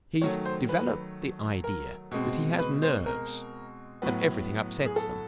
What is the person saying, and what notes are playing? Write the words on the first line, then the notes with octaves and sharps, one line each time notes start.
He's developed the idea that he has nerves and everything upsets them.
D#3 F#3 A3 C#5
C5
B4
A#4
B2 G#3 C4
B4
C5
A#4
A2 F#3 B3
G#4
A4